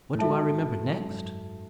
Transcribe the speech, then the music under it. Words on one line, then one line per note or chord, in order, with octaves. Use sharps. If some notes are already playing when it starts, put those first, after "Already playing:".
What do I remember next?
A2
G#2 F#4 A4 E5 A5
G#2
F#2